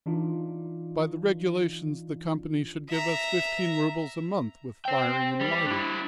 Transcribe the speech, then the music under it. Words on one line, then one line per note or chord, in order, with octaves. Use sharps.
By the regulations the company should give us fifteen rubles a month with firing and lighting.
E3 D4 D#4 F4
E5 A#5
C5 G5
G3
D4 E4